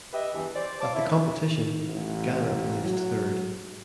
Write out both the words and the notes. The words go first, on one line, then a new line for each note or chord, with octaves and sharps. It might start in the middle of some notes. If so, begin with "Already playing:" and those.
At the competition Ghana placed third.
G4 B4 D#5 E5
E2 G2 E3
C5 D5
C#5 F5 A5 D6
E4 E5
D#3
A1
F#3